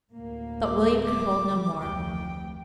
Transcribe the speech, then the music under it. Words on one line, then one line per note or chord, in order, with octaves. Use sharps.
But William could hold no more.
D2 A2 A#3
D6
D6
D3 F3
F1 D2 F3 G5